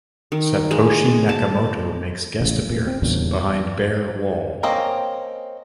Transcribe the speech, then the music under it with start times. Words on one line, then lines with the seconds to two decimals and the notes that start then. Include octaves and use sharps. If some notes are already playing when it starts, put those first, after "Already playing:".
Satoshi Nakamoto makes guest appearance behind Bear Wall.
0.32 D#3
0.71 G#3
1.29 A5
2.41 A1 C#3
2.70 A1 A#2
2.87 C4
3.02 E2 G2 A#2 C#3
4.63 A#3 C4 C#4 D#5